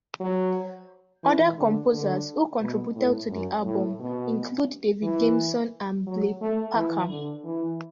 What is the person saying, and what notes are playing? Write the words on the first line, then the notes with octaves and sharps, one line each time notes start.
Other composers who contributed to the album include David Gamson and Blair Packham.
F#3
E3
D3
D3
B2
A2
F#2
A2
B2
E3
F#3
A3
E3
D3
E3